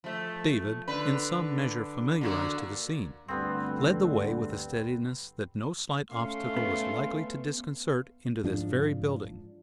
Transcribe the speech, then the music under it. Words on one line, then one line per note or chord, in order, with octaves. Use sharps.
David, in some measure familiarized to the scene, led the way with a steadiness that no slight obstacle was likely to disconcert, into this very building.
F3 A3
D3 B4
D3 A#3 F#4
D2 G2 D3 B3 C4
A3 C#4 F5 C6
B3
G#2 F3 D4